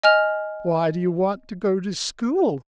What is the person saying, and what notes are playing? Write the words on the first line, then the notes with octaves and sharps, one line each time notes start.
Why do you want to go to school?
D#5 G#5 F6 F7